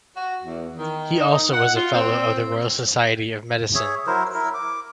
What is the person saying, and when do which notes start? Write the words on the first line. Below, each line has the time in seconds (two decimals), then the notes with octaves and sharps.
He also was a Fellow of the Royal Society of Medicine.
0.16 F#4
0.43 E2
0.78 D#3
1.20 D#4
1.53 F#5
1.77 F4
1.94 C4
3.75 G#4 C#5 E5
4.07 F#3 E4 A#4 C5
4.34 E4 A#4
4.54 D6